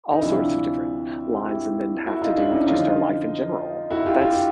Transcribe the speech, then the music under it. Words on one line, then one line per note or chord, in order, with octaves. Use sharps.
all sorts of different lines, and then have to do with just our life in general? That's
D#4
D2 C3 F3 D4 E4
G4
E4 F#4
E4 F#4
D#4 F4
D4 E4
C#4 D#4
F2 D3 F3 D#4 F4
E4 F#4
F4 G4
F4 G4